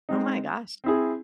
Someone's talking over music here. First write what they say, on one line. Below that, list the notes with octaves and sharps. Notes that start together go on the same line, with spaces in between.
Oh, my gosh.
G#3 C4 D#4
C4 E4 G#4